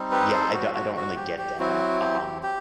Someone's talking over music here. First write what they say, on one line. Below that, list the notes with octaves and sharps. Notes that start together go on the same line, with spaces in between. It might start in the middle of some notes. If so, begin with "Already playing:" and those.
Yeah, I don't I don't really get that, um
Already playing: G3 C4 D#4
G4 B4
A4 C5
F#4
F#4
F#4
G4
G4
F#3 C4 E4 F#4
G4
G4